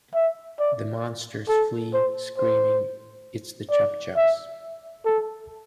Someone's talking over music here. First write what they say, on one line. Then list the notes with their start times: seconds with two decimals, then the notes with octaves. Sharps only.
The monsters flee, screaming, It's the ChubbChubbs!
0.15 E5
0.59 D5
1.49 A4
1.94 C5
2.38 C5
3.71 D5
4.16 E5
5.05 A4